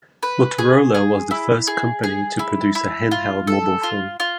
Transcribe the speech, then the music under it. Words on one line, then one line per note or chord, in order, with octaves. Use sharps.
Motorola was the first company to produce a handheld mobile phone.
B4
G#4
G#4
E4
G#4
G#4
E4
E4
F4
A4
F4
F4